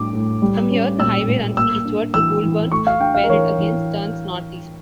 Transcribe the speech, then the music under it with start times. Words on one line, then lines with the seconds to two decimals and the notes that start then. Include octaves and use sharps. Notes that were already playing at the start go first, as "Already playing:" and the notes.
From here the highway runs eastward, to Goulburn where it again turns northeast.
Already playing: A2 G3 D4 D6
0.13 A2
0.42 G3
0.70 C#4
0.99 A#2 E6
1.28 A#2
1.57 A#3 E6
1.85 D4
2.14 E3 E6
2.44 E3
2.72 A3 C#6
2.87 F5
3.00 D4 G5
3.15 F5
3.24 A#4
3.29 E3 C#5
3.58 E3